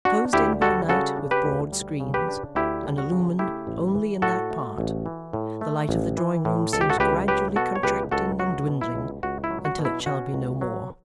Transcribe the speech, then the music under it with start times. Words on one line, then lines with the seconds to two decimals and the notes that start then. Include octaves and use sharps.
Closed in by night with broad screens, and illumined only in that part, the light of the drawing-room seems gradually contracting and dwindling until it shall be no more.
0.05 D4 F#4
0.33 D2 E4 G4
0.61 G3 F#4 A4
0.89 C#3 F#4 A4
1.17 D4
1.31 G4 B4
1.45 D2
1.72 G3
2.00 C#3
2.14 G4 B4
2.28 D4
2.55 D2 E4 G4
2.83 G3
2.98 F#4
3.12 C#3
3.39 A3 E4 G4
3.67 A1
3.95 E3
4.22 A2 F#4 A4
4.51 A3
4.78 A1
5.06 E3
5.33 A2
5.61 A3
5.89 A1
6.17 E3
6.45 A2
6.73 C#2 A4
6.81 G4
6.90 F#4 A4
7.00 C#2 G4 B4
7.28 F#3 G4 B4
7.56 B2 F#4 A4
7.76 C#5
7.83 C#2 G4 B4
8.11 C#2 F#4 A4
8.39 F#3 F#4
8.68 B2
8.81 E4
8.95 C#2
9.23 C#2 F#4
9.44 E4
9.50 F#3
9.65 F#4
9.79 B2
9.85 E4
10.06 C#4 F#4
10.34 C#2
10.61 F#3